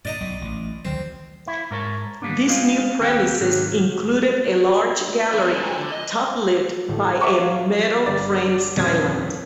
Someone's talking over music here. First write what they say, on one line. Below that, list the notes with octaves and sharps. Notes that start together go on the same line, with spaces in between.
These new premises included a large gallery top-lit by a metal framed skylight.
G2 A#2 D5 D#5 A#5
B1 F#2 B2
A1
D2 D#3 F#3 C4
E4
G#2 A#4 C#5 A5
D3 G3 A#3 B3 D4
G#3 C4 F4 D#5 F5 G#5
D#2 C4 G4 A4 F#5 G5
G#2 C3 D#3 F#3
G2 F3 B3 D#4 B4
G#2 G#3 D4
G#4 B4 C5 G5 G#5 A#5
D3
D#5
A1 A4
E5 F#5 A5 A#5 C#6 D6
C#5 F5
G1 G3 D5 A6
D#1 F2 F3 C#4 G#6